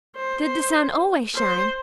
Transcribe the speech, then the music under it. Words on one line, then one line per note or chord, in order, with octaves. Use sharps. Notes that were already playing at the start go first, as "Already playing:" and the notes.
Did the sun always shine?
C5
C5
C5